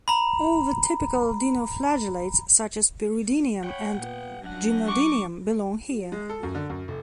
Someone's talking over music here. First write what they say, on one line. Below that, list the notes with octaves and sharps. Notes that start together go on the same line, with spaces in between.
All the "typical" dinoflagellates, such as "Peridinium" and "Gymnodinium", belong here.
A#5 B5
C#5 F#5 G5 B5
A#2 B3
F#2 F#3 D4 F#5 A#6
C#6 D6
G#3
A4
F#2
D3
F#2
F1